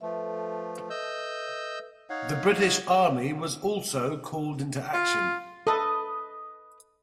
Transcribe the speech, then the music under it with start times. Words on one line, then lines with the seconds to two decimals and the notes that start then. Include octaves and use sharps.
The British Army was also called into action.
0.01 F3 A3 A4 B4 E5
0.90 D#5 E6 G6
2.10 D#4 C#5 F5 F#5
4.93 F4
5.67 A4 B4 D#5